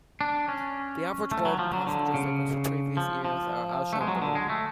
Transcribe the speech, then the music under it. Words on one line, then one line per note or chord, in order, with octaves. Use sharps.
The average boarding passenger figures for previous years are as shown below.
D4
C#4
A3
F#3
F3
F#3
D3
C#3
F3
F3
A3
G#3
F#3
D3
G#3
A3